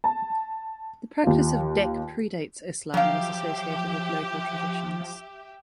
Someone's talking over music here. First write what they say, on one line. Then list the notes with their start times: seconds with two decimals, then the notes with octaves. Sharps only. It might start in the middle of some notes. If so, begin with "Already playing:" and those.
The practice of deq predates Islam and is associated with local traditions.
0.04 A5
1.23 D#2 F4
2.94 F3 F#3 G4 E5 F5